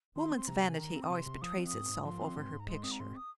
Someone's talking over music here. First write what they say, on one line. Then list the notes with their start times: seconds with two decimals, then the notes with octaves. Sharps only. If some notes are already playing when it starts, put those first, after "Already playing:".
Woman's vanity always betrays itself over her picture.
0.16 D#3 C6
0.31 C4 C6
0.47 C3 A#5
0.57 G#5
0.63 C3
0.78 D#3 A#5
0.95 C4
1.02 D#6
1.10 C3 C6
1.26 C3
1.42 F3 D#6
1.58 C4
1.67 D#6
1.73 G#2
1.89 G#2
2.05 F3 C6
2.21 C4
2.37 G#2
2.52 G#2
2.59 A#5
2.68 G#3 C6
2.83 C4 D#6
2.91 A#5
3.00 G#2 C6
3.16 D#6